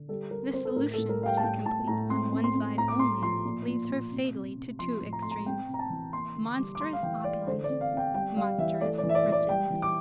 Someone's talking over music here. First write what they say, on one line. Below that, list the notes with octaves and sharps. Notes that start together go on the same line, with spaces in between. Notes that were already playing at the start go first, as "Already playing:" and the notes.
This solution which is complete on one side only leads her fatally to two extremes: monstrous opulence, monstrous wretchedness.
Already playing: D3
G3 A4
G3 A#4
C4 C5
A4
A2 A#4
A4
A2
A#4
G3 F5 G5
A5
A2 G5
A2 A5
A2 A#5
C4 C6
C4
C6
C4
A2 A#5
D6
A2 C6
F3 C6
A#2
A#2
A#2
C3
C3
C3
F3 C6
A2
A#5
A3 C6
A#5
C4 G5
C3
A#5
A5
E3
A#3 C6
D3
D6
G3
D6
A3 C6
F5
E3 G5
A3 D5
D3 C5
D5
C4
F5
C4 G5
G3 G5
G3 F5
E3 E5
A3 D5
D5
E3
E5
D5
E3
D5
G3 G5
E3
D6